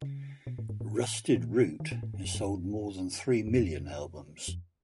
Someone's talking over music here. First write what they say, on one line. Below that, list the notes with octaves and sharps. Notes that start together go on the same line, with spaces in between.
Rusted Root has sold more than three million albums.
C#3
B2
A2
G#2
A2
A#2
D#3
A#2
A2
G2
F#2
G2
F#2
F#2
F2
F2